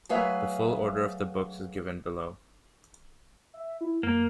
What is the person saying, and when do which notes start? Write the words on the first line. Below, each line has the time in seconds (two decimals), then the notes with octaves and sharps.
The full order of the books is given below.
0.09 F#3 A3 G#4 B4 E5 F5
3.54 E5
3.81 E4
4.03 F#2 A#3